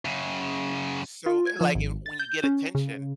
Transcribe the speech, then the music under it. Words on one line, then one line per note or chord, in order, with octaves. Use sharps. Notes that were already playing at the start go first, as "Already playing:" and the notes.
So, eh, like when you get attention
F#2 C#3
F4
G#6
F3
G#1
A6
G6
C#4
C#3